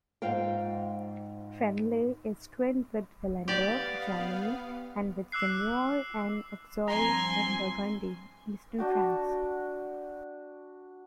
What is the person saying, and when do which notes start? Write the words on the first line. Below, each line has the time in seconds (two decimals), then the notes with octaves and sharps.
Cranleigh is twinned with Vallendar, Germany, and with Semur-en-Auxois in Burgundy, eastern France.
0.22 G#2 F4 C5 F5 G5
3.48 B3 G4 D5 F5
5.32 D6 E6 F#6 C7
6.88 G2 F3 C4 G#5 A#5 C6
8.78 D4 F#4 G5